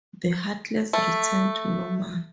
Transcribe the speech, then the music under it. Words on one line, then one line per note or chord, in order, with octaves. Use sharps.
The Heartless return to normal.
A3